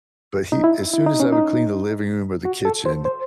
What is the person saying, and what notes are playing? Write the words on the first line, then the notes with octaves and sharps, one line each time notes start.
but he as soon as I would clean the living room or the kitchen,
D#4
E4
E4
D#4
C#4
D#4
F#4
A4
C5
C5